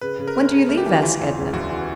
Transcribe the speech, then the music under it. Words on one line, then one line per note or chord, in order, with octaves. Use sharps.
"When do you leave?" asked Edna.
C#3 B4
C#3
A#4
A3
C#3
A3
G4
E3
E3 F4
E1
C#3
D2 F#4
E3